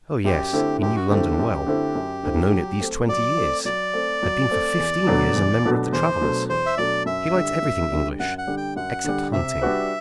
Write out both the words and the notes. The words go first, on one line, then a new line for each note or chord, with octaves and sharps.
Oh, yes, he knew London well; had known it these twenty years; had been for fifteen years a member of the Travellers'; he liked everything English, except hunting.
F#2 G4
D3 A3 C4 E4
F#2 G4
F#4
D3 A3 C4 E4 G4
F#2
D3 A3 C4 E4
F#2
D3 A3 C4 E4
F#3
A3 C4
F#3 D5
A3 C4
F#3 D5
A3 C4
F#3
A3 C4
E2
B2 F#3 A3 D4
E2
B2 F#3 A3 D4
E2 C5
B2 F#3 A3 D4
E2 C5
E5
B2 F#3 A3 D4 D5
F#2 E5
D3 G3
F#2
D3 G3
F#2 F#5
F#5
D3 G3
G5
F#2 F#5
D3 G3
C3 E5
G3 D4 F#4 B4